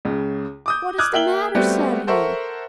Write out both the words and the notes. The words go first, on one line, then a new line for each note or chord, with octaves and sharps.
"What is the matter?" said he.
C#2 C#3
D6 D#6 G6
D6 D#6 F6 F#6 G#6
A#3 E5 G5 F#7 G7
G3 A3 B3 C4 F#4 G4
A4 A#4 C5 E5 F#5 C#6